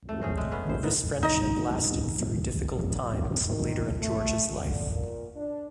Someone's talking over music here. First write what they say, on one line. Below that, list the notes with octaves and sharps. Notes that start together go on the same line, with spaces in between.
This friendship lasted through difficult times later in George's life.
A3
C4 C#4 G#4
G#3 A3
B3 C#4 A4
C5
A2 B3 D#4
D#4 D#5
D#3
A3
D3
A#2
D4